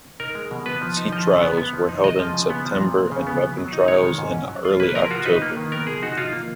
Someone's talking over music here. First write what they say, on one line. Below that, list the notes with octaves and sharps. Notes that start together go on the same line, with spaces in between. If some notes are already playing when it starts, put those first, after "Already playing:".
Sea trials were held in September and weapons trials in early October.
D#4 A#4
G#3
B2
B3 B4
F3
D#4
F3 D#5
C#3
B3
B3
F3
D#4
G#3 D#5
F3
C#3
B3
F3
A#2
G#3
C#3
B3
B3
F#3
D#4
G#3 C#5
D#3
G#2
C#4
F#3
F4
A#3 B4
F3 A#4
F4 F#4
D#4 B4
A#3
D#3
B3 A#4
F3 G#4
D#4 F#4
D#4 F4
A#3